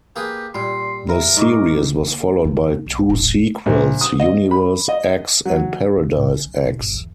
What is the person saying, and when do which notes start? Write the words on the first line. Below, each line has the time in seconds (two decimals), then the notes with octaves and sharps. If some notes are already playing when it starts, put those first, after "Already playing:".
The series was followed by two sequels, Universe X and Paradise X.
0.16 A#3 G4 G#4 B4
0.55 A#2 G3 B5 C6
1.09 A#4 E5 A#5 B5
1.37 G#2 D#5 C#6 D6
1.98 A#3
2.44 F2 C#3
2.86 B1
3.09 D#1 A1
3.66 A#1
4.01 D#6
4.20 D#5
4.51 B5
4.89 D#5
5.45 F#3
5.97 C3
6.14 A2
6.28 C#4
6.46 F3
6.65 B2
6.79 G1
6.94 E2